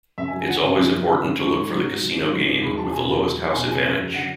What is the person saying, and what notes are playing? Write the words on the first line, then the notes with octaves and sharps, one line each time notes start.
It's always important to look for the casino game with the lowest house advantage.
F#2 E5
G#5
F#3
G#5
D3 F#5
F#2 G#5
F#2
F#3
D3 B5
F#2
F#3 C#6
G#2
F#3
G#2
F#3
G#2
F#3
G#2
E2 B5
F#3 A5
B2 G#5
E2 A5
E2
F#3
B2 G#5
E2 G#5
F#2 E5
F#3
D3 F#5